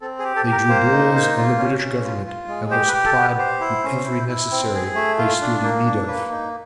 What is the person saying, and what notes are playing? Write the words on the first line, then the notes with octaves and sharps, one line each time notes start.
They drew bills on the British government, and were supplied with every necessary they stood in need of.
C4 A4
G#4
G4
A4
G4
A#4
A#3 C5
D#4
A#3
F4
C#4
C#4
F4
F4
G#3
G4 C5
B4
G4
A4
B3
B4
G4 C5
E4
C#4
E4
E4
C4
G#4
A3
F4
D4
A#3
D4
A#3 B4
D#4